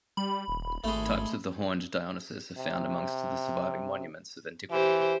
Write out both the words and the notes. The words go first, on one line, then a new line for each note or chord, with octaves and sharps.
Types of the horned Dionysus are found amongst the surviving monuments of antiquity.
G3 B5
D#1
G#1 G#3 A3
C3
E3 G4 C5